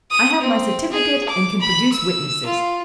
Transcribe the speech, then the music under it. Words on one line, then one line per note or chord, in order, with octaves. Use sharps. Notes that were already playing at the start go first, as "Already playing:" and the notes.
I have my certificate and can produce witnesses.
D#6
C4
G#4
D6
B5
E6
F4